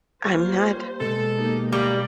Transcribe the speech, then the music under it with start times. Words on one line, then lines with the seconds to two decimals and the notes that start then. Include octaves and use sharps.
I I'm not
0.24 G3 A#3 F4 C5 C#5
1.01 B2 G#3 A4
1.36 A#3 D#4 G4
1.72 G3 A#3 D5